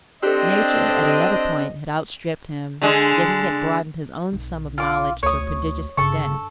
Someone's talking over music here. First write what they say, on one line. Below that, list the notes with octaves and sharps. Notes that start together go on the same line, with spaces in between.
Nature at another point had outstripped him, yet he had broadened his own sum of knowledge to a prodigious extent.
C4 D4 G4 A4 D#5
D3 G#3
B1 C3
F4 D6
D2 C#5 D#6
G1 C#3 A4 C#6